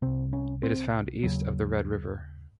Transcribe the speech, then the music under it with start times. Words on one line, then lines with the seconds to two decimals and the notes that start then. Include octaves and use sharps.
It is found east of the Red River.
0.02 C2 C3 C4
0.33 C#4
0.63 C4
1.23 D#2 C#3 F#3